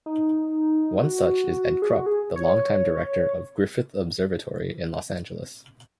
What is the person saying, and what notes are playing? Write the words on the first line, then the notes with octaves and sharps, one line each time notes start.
One such is Ed Krupp the long-time director of Griffith Observatory in Los Angeles.
D#4
F#4
G#4
F#4
G#4
C#5